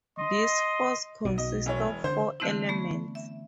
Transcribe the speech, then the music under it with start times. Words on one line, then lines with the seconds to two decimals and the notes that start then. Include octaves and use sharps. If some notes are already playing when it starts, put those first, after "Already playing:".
This force consists of four elements.
0.19 D#5 C6
1.25 B1 B2
1.38 D#5
1.66 E1 E3 C#5
2.04 D3 C5 G6
2.40 D3 E3 A3 C4 D4 E4
2.69 A3 B3 C#6
3.15 E5